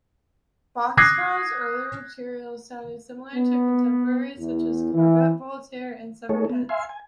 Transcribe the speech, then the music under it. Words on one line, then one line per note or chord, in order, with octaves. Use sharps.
Boxcar's early material sounded similar to contemporaries such as Cabaret Voltaire and Severed Heads.
D6 D#6 F#6 G#6 A#6 C7
B3
E2
E3
A3 D#4 G#4 A4 C#5
B3
E5 F5 G#5 C6
G#5